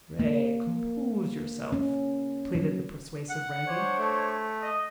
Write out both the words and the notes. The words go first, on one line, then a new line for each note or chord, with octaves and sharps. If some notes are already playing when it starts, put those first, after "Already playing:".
"Pray compose yourself," pleaded the persuasive Wragge.
A#3
C#4
F#3
F#5
D4 C5 C#5
A3
D#5